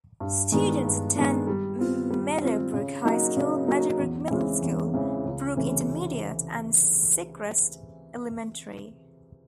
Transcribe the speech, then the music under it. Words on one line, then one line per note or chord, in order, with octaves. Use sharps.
Students attend Meadowbrook High School, Meadowbrook Middle School, Brook Intermediate and Secrest Elementary.
G2
D#3 G#3 B3 D4
G2
D#3 G#3 B3 D4
G3
C4 F4
G3
C4 F4
C#3
F#3 A#3 D#4 F#4
C#3
F#3 A#3 D#4 F#4
E2
C#3 E3 G#3 C4
E2
C#3 E3 G#3 C4
C#2
C3 E3 A3 C#4